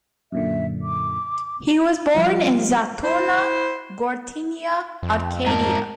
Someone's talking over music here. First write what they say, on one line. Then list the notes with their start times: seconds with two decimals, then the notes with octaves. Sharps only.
He was born in Zatouna, Gortynia, Arcadia.
0.32 F#2 A#2 D3 E5
0.82 D6
2.15 F3 G3 F4
3.04 E4 C5
5.03 F2
5.46 G#2 A#4 A5 A#5